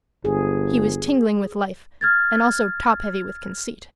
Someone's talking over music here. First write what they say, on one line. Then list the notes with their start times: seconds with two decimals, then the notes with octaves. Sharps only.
He was tingling with life and also top-heavy with conceit.
0.25 G1 G#4
2.01 F6 G#6 A6